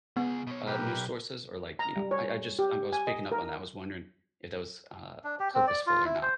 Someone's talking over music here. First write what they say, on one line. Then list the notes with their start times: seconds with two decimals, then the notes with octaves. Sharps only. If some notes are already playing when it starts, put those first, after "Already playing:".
uh, news sources? Or like, you know I I just I was picking up on that, I was wondering if that was, uh, purposeful or not.
0.17 C#2 B3 G#4
0.47 B2 C#5
0.67 B1 G4 A#4 B4
1.79 A#5
1.97 G3
2.11 C#5
2.59 G4
2.93 G#5
3.07 D#5
3.32 A#4
5.24 D4
5.40 G4
5.54 C4
5.67 D5
5.87 F4
6.05 E4
6.22 C5